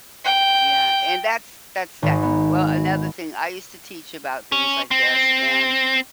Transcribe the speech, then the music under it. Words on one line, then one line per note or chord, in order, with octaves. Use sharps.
Yeah, and that's that's sad. Well, another thing, I used to teach about things like this, and
G5
G#1
B3
C#4
C4